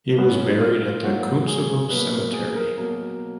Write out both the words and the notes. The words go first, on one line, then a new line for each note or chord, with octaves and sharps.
He was buried at the Kuntsevo Cemetery.
G#2 F#3 A#3 B3
C#4
D#4
F4
G#2 F#3 A#3 F#4
G#4
B2 F#3 A#3 B4
A#4
G#4
A#4
B2 F#3 A#3 A#4